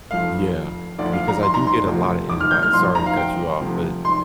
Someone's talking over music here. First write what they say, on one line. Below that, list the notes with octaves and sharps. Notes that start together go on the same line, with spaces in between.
Yeah, c because I do get a lotta invites. Sorry to cut you off, but
F1 F2 F3 F5
D2 D3 F3 D5
F5
A#5
C6
A#5
C6
D2 C3 F3
D6
F6
G6
F6
C2 A#2 F3 C6
A#5
F5
G5
D2 C3 F3
C6